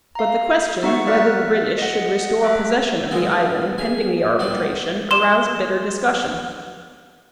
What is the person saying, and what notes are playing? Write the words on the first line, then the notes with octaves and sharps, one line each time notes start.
But the question, whether the British should restore possession of the island pending the arbitration, aroused bitter discussion.
F5 A#5
B3 D#4 F#4 E5 F#5 C#6
A#3 D5 F6 F#6 A6 B6
D#5 F#5
A3 A4 E5
D3 D#3 F#3 G#3 A#3 B3
G#4
B2 D#3 G3 B3 D4 G4
C6 E7